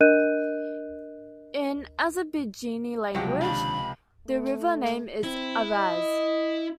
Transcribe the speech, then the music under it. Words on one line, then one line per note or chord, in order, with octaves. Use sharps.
In Azerbaijani language, the river name is "Araz".
D4 A#4 D#5 F#6 G6 D#7
C#2 C3 F3 F#3 F#4 G5
D#2 D4 B5
A3
C4 E4
D#5